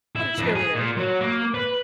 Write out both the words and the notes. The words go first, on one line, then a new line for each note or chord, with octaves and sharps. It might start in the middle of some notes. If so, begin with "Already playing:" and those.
What a cheerleader.
E4
F2
G#4
A#2
F#3
A#3
B4